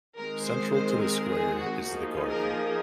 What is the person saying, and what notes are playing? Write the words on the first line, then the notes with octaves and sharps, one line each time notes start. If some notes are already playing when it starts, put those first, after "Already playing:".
Central to the Square is the garden.
D#3 G#3 C4 A#4
C5
C5
A#4
G#4
F#4
F3 A#3 D#4 G#4
A#4